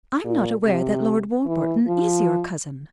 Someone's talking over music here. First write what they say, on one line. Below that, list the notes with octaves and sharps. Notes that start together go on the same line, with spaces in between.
"I'm not aware that Lord Warburton is your cousin."
A#2
C3
E3
F3